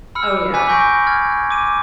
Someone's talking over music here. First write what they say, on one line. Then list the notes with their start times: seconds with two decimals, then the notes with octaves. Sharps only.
Oh, yeah.
0.15 B5 E6 F6 C#7
0.54 G#5 D6 E6 F#6 B6
0.67 B5 C#6 G6 A#6 D7
1.07 F6 G#6
1.51 D6 D#7